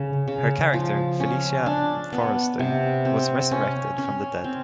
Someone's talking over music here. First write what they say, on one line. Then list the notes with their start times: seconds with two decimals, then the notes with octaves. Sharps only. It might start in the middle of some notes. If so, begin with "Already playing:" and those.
Her character, Felicia Forrester was resurrected from the dead.
Already playing: C#3
0.28 C#3
0.74 F3
1.20 C#4
1.66 D4
2.12 B3
2.59 C3
3.05 C4
3.51 C#4
3.98 C#4
4.44 C4